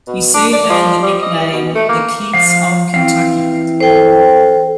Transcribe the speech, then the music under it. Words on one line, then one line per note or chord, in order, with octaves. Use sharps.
He soon earned the nickname the "Keats of Kentucky".
B2
D4
D5
F3
G3
D#5
E3
B2
A3
A#3
F3 F5
E3 C4 F5
A4 C5 G5